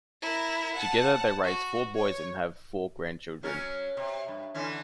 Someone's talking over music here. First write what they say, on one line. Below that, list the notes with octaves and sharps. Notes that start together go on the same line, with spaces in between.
Together they raised four boys and have four grandchildren.
E4 A#4
F#5 A5
F#4
C#5
F#3 C#4 A#4
C3
G2
D3 E3 C#4